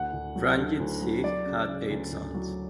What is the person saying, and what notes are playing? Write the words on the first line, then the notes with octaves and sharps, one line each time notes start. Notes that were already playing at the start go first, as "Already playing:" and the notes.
Ranjit Singh had eight sons.
Already playing: D2 F#5
D2
F#3
D3
D2
F#3
F#3 D5
C#3
C#3
D2
D2
F#3